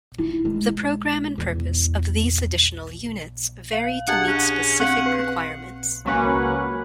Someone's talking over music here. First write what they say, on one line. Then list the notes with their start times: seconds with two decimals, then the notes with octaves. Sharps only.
The programme and purpose of these additional units vary to meet specific requirements.
0.18 E4
0.45 G#3
1.38 E2
3.73 F5
4.08 D4 G4 G#4 F#5
4.28 C#4
4.80 C4 F5 F#5
5.06 B4
6.05 C#2 F#3 A#3 C#4 B4 F#5